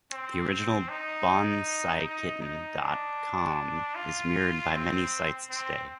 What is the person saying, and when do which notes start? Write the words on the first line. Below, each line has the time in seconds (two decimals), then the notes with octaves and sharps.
The original bonsaikitten dot com is mirrored by many sites today.
0.12 C4
0.89 D#4
2.05 D#4
2.42 D#4
2.81 D4
3.95 F4
4.72 C4
5.50 C4